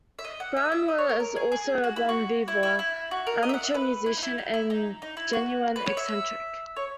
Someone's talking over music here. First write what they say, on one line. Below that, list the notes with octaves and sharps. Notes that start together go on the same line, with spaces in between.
Brown was also a bon viveur, amateur musician and genuine eccentric.
E5
D#5
F#5
E5
D#5
E5
D#5
C#5
A#4
A#4
G#4
G#4
F#4
E4
F#4
E4
E4
E4
F#4
A#4
D#5
E5
F#5
E5
B4
E4
D#4
E4
D#4
E4
D#4
D#4
E4
F#4
B4
C#5
E5
C#5